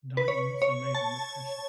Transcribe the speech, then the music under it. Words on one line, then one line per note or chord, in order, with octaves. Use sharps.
Diamonds are made under pressure.
B4
C#5
C#5
A5